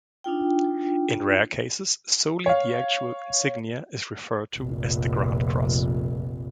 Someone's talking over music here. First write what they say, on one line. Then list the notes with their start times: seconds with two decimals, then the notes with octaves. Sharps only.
In rare cases, solely the actual insignia is referred to as the "grand cross".
0.24 D4 D#4 F4 G5
2.46 C#5 F5
4.56 F1 A#1